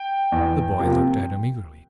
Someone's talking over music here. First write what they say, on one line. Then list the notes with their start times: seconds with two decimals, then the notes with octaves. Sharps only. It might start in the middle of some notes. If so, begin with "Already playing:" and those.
The boy looked at him eagerly.
Already playing: G5
0.32 E2
0.79 C3 F3 A#3